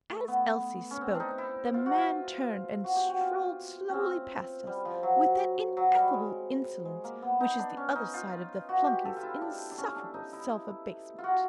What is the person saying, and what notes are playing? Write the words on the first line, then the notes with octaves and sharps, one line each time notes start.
As Elsie spoke, the man turned, and strolled slowly past us, with that ineffable insolence which is the other side of the flunkey's insufferable self-abasement.
A3
B3
C#4
C4
D4 D#4
E4
F4
F#4
F4
F#4
G4
F#4
F4
C4 C#4
G3
F3
F#3
F#3
G3
G#3
G#3
A#3
B3
D#4
D4
C#4
D#4
F4
F#4
G4
A4
F4
E4
D4
D4
C#4
D4
D#4
E4
F4
F#4